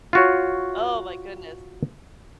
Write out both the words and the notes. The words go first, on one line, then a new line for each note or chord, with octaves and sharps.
Oh my goodness
F4 F#4 C#5